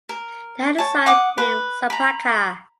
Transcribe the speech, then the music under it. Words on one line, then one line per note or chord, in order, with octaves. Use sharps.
They had a son named Sapaca.
A#4
C#5 A5
F#5 D6 D#6
B4
A#5 B5